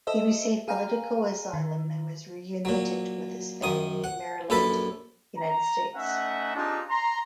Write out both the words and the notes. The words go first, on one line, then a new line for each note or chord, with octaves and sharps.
He received political asylum and was reunited with his family in Maryland, United States.
A4 C5 D#5 E5
G#4 F5 G5 A#5
D#3
A#2 F#3
F#2 D#3 D#6
F#5
A#1 F#2 A4 B4 A5 B5
A#5
A3 C#4 D#4 E5 F#5
C4 D4 D#4 F4 G4 G#4
A#5 C6